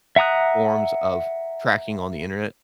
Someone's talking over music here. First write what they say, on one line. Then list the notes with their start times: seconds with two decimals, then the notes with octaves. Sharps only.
forms of tracking on the Internet.
0.16 E5 F#5 A#5 D#6 F#6